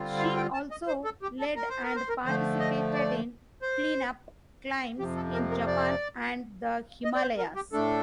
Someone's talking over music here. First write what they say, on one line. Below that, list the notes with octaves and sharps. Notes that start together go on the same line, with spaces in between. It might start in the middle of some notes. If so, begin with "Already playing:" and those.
She also led and participated in "clean-up" climbs in Japan and the Himalayas.
Already playing: D3 G3 C4 F4
F5
G5
A5
D#5
C5
A4
G4
A4
A#4
C5
A#4
C5
A#4
D3 F3 A3 C5
D#5
D5
C5
F2 C3 F3 G4
A4
A#4
A#4
D5
D#5
D5
C5
A#4
G4
A2 A3 D4 A4